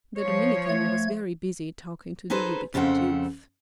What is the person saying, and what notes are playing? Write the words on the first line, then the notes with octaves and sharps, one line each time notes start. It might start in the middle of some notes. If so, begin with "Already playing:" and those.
The Dominican was very busy talking to the rubicund youth.
F3 C#5
A3 G#6
D#4 G#4 A4 B4 C5
F2 C#3 C4 A4 F#5